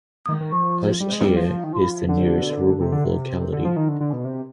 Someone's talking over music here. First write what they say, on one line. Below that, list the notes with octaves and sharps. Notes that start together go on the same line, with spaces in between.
Ustye is the nearest rural locality.
D#3
D#3
F3
G3
G#3
G3
F3
D#3
F3
D3
C3
D3
C3
D3
F3
D#3
D3
D3
B2
C3